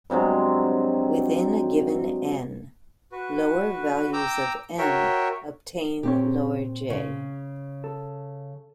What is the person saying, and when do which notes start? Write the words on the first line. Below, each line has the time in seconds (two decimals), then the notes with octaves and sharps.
Within a given "n", lower values of "m" obtain lower "j".
0.10 G2 C3 F#3 G#3
3.12 F#4 B4
4.13 G5 A#5 D6 E6
4.78 F#4 A#4 C#5 E5 G5
6.03 A#2 C4 G4 C#5
6.90 C#3
7.84 A4